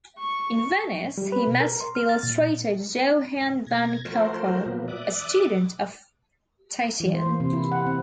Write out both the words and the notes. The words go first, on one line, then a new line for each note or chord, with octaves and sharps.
In Venice, he met the illustrator Johan van Calcar, a student of Titian.
C#6
G3
B4
B2
A#4
C6
F6
A6
A#2
B2 G#6 A#6
F3 A3 F#4 A#4 C5
A#2 F3 F#3 A#3 B3
D5 E5 D6 D#6 F#6
E3
C5
A#3
C3
E4
F#5
C4